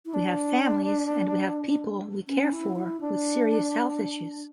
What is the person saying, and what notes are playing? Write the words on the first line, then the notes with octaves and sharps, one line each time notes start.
We have families and we have people we care for with serious health issues.
E4
D4
C#4
E4
E4
D4